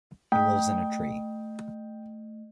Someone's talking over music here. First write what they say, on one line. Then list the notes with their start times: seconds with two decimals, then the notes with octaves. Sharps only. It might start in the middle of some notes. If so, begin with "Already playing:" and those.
He lives in a tree.
0.32 A3 G5